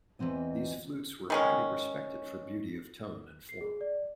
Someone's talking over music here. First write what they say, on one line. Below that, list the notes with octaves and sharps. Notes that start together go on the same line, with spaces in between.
These flutes were highly respected for beauty of tone and form.
E2 C3 E3 C4 D#5
D#3 G#3 C#4
C7
G#4
D5